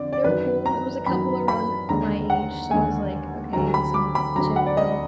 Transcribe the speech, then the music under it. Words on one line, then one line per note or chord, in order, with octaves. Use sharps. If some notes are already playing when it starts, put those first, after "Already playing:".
they were cool, it was a couple around my age, so I was like, "Okay, they seem chill."
Already playing: F2 D3 D5
D5
F#2 D#3 F#3 B4
A#5
F#2 D#3 F#3 B5
B5
D#2 D3 G#3 A#5
F#5
D#2 D3 G#3 G#5
D2 D3 F#3 A#5
B5
D6
B5
D2 D3 F#3 A#5
F#5
D5
D#5